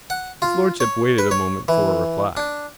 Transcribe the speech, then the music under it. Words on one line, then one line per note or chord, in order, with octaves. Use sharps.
His lordship waited a moment for a reply.
F#5
F4
C#5
B4
C#5
E3
D4